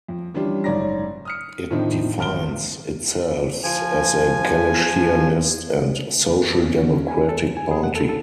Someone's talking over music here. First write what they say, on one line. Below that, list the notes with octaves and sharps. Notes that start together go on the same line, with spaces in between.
It defines itself as a Galicianist and social democratic party.
F2
E3 G3 C#4 D4 F4
F#1 G#2 C#5 D5 A#5 A#6
D#6 F6 C#7
A2 D#3 F3 C4 D4 D#4
G#1 F6 D7 G7
F3 G#5
A4
C#4
D3
C#4
G#5
A4
F2
G#5
G#4
F#5
A4
A4